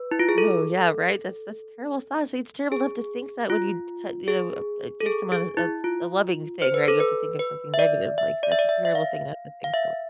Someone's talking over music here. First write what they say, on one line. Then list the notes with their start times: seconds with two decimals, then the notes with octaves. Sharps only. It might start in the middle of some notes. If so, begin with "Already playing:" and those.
Oh, yeah, right? That's that's terrible thoughts. It's terrible to have to think that when you t You know, uh, eh, give someone a s a loving thing, right? You have to think of something negative. Like, that's a terrible thing to have to think that way
Already playing: B4
0.11 E4
0.19 F4
0.29 G#4
0.38 A4
2.72 G#4
3.50 F4
4.28 G#4
5.01 A4
5.06 G#4
5.32 G#4
5.57 E4
5.84 F4
6.62 C5
6.74 B4
6.88 A4
7.00 B4
7.39 B4
7.74 E5
7.79 D5
8.18 E5
8.43 D5
8.52 E5
8.59 D5
8.69 E5
8.85 E5
8.95 F5
9.64 F5
9.74 E5